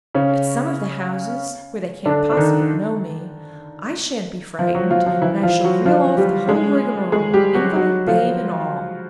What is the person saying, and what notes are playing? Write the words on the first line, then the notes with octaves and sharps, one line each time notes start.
At some of the houses--where they can't possibly know me--I shan't be frightened, and I shall reel off the whole rigmarole, invalid, babe, and all.
C#3 C#4
D3 D4
D4
D#3 D#4
F3 F4
F#3 F#4
F3 F4
F3 F4
E3 E4
F3 F4
F#3 F#4
F3 F4
G3 G4
G#3 G#4
G#3 G#4
G3 G4
F#3 F#4
F#3 F#4
F3 F4